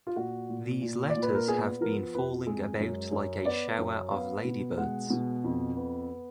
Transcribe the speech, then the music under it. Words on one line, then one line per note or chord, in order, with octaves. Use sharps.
These letters have been falling about like a shower of ladybirds.
F4
A#2 F#4
A#2
A#2
D5
A#2
B4
A#4
B3 G#4
F3 A#4
F2 B4
G#3 G#4
F#2
F#2
B3 D5
F#2
B3 F5
B2
G#3 F#5
B2
F2
B3